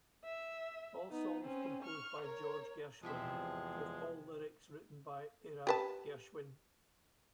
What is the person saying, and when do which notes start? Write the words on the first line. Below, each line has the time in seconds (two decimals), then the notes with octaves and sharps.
All songs composed by George Gershwin, with all lyrics written by Ira Gershwin.
0.24 E5
1.11 B3 D#4
1.42 C4 C#4
1.83 C#6 F6
2.21 A#4 C#5
3.03 E2 C3 F3 G#3 G4 E5
5.67 G4 B4 A5